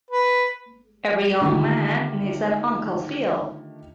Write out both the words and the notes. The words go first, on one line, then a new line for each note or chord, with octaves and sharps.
Every young man needs an Uncle Phil.
B4
D3 D#3 A3 F4 G4